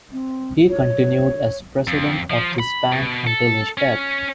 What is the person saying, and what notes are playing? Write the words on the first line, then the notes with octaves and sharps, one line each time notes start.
He continued as President of this bank until his death.
C4
C#5
F2
F3
B5
B2
A4
C#4